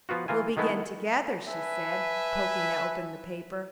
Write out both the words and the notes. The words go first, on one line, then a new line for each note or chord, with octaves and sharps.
"We'll begin together," she said, poking open the paper.
F3 B3 F4 F#4
E3 A#3 F4 G#5
D#3 G#3 A3 B3 E4
B4 E5 G#5 A5